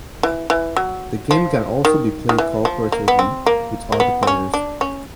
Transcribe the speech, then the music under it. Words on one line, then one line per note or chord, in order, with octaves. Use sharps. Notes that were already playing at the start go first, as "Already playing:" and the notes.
The game can also be played cooperatively with other players.
E3
E3
F#3
F3
D#3
D#3
E3
F3
A#3
B3
C4
A#3
A#3
B3
C4
C#4
D4
C#4